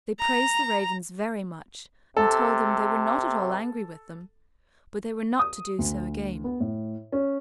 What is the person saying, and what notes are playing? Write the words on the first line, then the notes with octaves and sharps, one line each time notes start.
They praised the Ravens very much, and told them they were not at all angry with them, but they were not to do so again.
A#5
C3 A4
D#6
D2
B3
A2
C#4